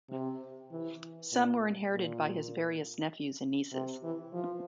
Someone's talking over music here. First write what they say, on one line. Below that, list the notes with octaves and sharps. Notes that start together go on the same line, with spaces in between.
Some were inherited by his various nephews and nieces.
C3
E3
A#2
A#2
C3
E3
F3